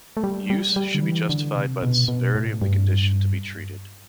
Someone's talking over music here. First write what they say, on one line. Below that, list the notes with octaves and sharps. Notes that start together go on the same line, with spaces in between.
Use should be justified by the severity of the condition to be treated.
A3
G3
G3
G3
D3
E3
D3
C3
B2
B2
A2
G2